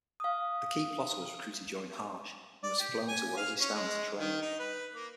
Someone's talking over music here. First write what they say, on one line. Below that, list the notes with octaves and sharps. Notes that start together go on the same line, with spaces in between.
The key plotter was recruited during Hajj and was flown to Waziristan to train.
F5 D#6
D5
G4
G#5
F5
C#4
G#3
D#3
D#4
B4
A#3